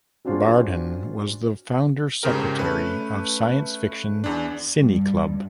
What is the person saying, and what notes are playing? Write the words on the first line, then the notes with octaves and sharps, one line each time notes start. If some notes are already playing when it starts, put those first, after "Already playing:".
Bardhan was the founder secretary of Science fiction cine club.
F#3 C4 D4 F4 F#4 G#4
F2 G#2 C#3 G4 A#4
A3 C#4 B4
E2 D4
G2